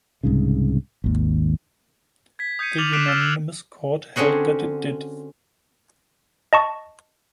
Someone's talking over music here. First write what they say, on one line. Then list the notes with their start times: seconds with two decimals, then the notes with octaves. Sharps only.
The unanimous Court held that it did.
0.23 C2 G#2 C#3
1.04 G#1 D#2
2.39 G#6 B6
2.59 D#6 G6 G#6 C7 C#7 D#7
2.78 D6 F6 A6 D#7 F7 F#7
2.93 D6 F#6 B6 C7 D7 E7
3.07 E6 F6 A6 C7
3.20 E6 F#6 F#7
4.16 D3 C4 C#4 F#4 G#4
6.53 D#5 A5 C#6